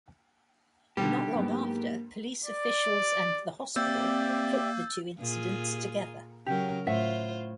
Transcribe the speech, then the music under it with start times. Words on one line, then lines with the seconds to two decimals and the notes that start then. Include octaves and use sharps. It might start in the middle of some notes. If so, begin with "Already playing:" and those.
Not long after, police officials and the hospital put the two incidents together.
0.97 B2 D3 D#3 G3 G4
1.35 G#2 F#3 A#3 B3
2.45 D5
3.76 A#3 C4 G4 D5 E5 E6 G6 A6
5.20 A#2 F4 G#4
6.46 C#3 F#3 G4 A#4
6.87 A2 F4 C5 E5 F#5